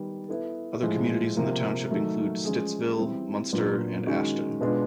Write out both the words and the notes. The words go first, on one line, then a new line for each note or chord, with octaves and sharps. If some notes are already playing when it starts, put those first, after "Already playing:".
Other communities in the township include Stittsville, Munster, and Ashton.
Already playing: D#3 G3 B3
B3 E4 A4
A2 F3 G#3
C3 F3 A#3
D#3 F#3 A3
F3 G#3 C#4 F4 G#4
E3 G3 C4 E4
A#2 F#3 B3 D4 F4
D#3 G#3 C#4 F#4
B2 G#3 B3 D4 F4